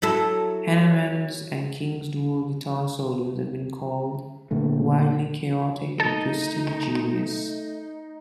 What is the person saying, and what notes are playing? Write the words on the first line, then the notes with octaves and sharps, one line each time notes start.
Hanneman's and King's dual guitar solos have been called "wildly chaotic," and "twisted genius".
F#3 E4 A4
A#2 D3 A3
A3 D#4 A4